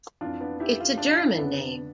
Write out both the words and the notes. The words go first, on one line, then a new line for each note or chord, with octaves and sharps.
It's a German name.
F2 E3 D4 F4
B3 D4
E4 G4
F4
G4
D4 F4
E4
F2 D3 B3 D4